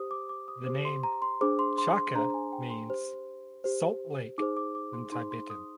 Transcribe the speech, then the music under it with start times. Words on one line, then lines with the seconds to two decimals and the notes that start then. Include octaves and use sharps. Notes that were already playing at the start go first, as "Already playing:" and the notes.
The name "Chaka" means "salt lake" in Tibetan.
Already playing: G4 C5 D#6
0.11 D6
0.29 D6
0.48 D#6
0.66 G4 C5 D6
0.85 C6
1.03 A#5
1.22 C6
1.41 D4 G#4 C5 D6
1.59 C6
1.78 C6
1.96 C6
2.15 D4 G#4 C5 A#5
2.34 G#5
2.52 G5
2.70 C6
2.89 G4 C5
3.64 G4 C5
4.38 D#4 G#4 C5 D6
4.57 D6
4.75 D6
4.93 C6
5.12 D#4 G#4 C5 C6
5.31 C6
5.50 D#6